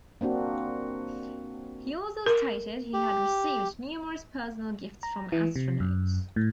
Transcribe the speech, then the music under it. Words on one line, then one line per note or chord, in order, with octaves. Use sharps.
He also stated he had received numerous personal gifts from astronauts.
A#3 C4 D4 F#4
A#4
G4
A#5
E3
C3
F#2
A2